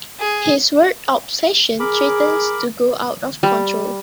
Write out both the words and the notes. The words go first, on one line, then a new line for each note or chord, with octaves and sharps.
His weird obsession threatens to go out of control.
G#4
G#4 A#4 B5 D6
G3